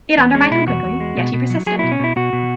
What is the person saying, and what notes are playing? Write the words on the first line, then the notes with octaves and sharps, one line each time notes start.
It undermined him quickly; yet he persisted.
E2 B3
G#3 C#4
B2 E4
E2 F#4
E2
G#3
B2
B2
F#3
F#3 G#4
B2 E4
C#4
B2 E4
B2 F#4
B2